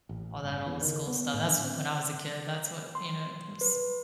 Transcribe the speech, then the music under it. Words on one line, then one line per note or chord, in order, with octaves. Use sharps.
all that old school stuff. That's when I was a kid, that's what, you know, was
A1
G1
E2
D#3
B3
A2
D3
C4
C6
B4